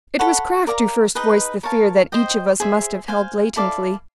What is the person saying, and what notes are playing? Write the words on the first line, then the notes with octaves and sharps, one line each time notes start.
It was Kraft who first voiced the fear that each of us must have held latently.
A4 C#5 F#5 B5
A#4 D5 F5 A#5
D#4 G#4 B4 D#5
A#4 C#5 F5 A5
C5 D#5 G5
G#4 C5 E5
C5 F5 G#5
E4 A4 D5 F5